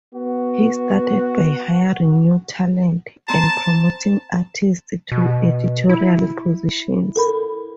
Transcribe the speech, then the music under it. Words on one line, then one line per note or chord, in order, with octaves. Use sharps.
He started by hiring new talent, and promoting artists to editorial positions.
B3 F#4
C4 A5 A#5
B2
E4
A4 A#4 B5